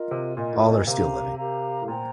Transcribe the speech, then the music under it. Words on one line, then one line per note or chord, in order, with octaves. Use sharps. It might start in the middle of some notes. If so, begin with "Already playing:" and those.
All are still living.
Already playing: F4 A#4 D#5
C3
A#2 F4 A#4 D#5
A2
A#2
C3 G4 A#4 F5 A#5
G4 A#4 F5 A#5
A2
A#2 C5 G5 A#5